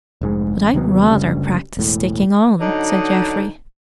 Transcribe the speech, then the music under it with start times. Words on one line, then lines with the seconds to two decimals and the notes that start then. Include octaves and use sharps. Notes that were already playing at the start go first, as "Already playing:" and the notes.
"But I'd rather practise sticking on," said Geoffrey.
0.21 F1 G#2 G#3
0.54 A1
0.74 D#2 C3 F#3 B3
1.10 F#1 D2 C#3 G3
1.77 E1 A2
2.60 D3 F#3 D#4